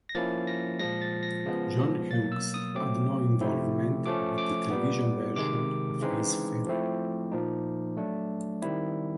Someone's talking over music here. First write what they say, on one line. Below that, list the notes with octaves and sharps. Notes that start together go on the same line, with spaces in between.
John Hughes had no involvement with the television version of his film.
A#6
F3 A#3 C#4 E4 A6
A#6
A#2 F3 G#3 A#6
A6
A#6
C#3 F3 G#3 B3
B2 F#3 A#3 A6
E6
D#6
F#3 A3 C4 D6
C3 F3 A3 C4 E4
F3 A3 C#4 D6
D6
A#2 G3 B3
C3 D#3 G#3 D6
C#3 E3 G#3 C4 D#4
F3 A3 C4 E4
A#2 F3 A#3 D#4
F#3 A3 D4
D#3 G3 C4 E4